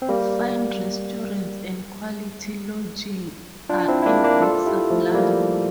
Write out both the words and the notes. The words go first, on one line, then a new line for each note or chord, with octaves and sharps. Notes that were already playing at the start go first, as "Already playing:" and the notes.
Fine restaurants and quality lodging are in good supply.
C4
G3 A#3
D4 F4
C4 E4
E4
A#3 D4
A#3 D4
F4 A4
E4 G4
F3 A3
G3 A#3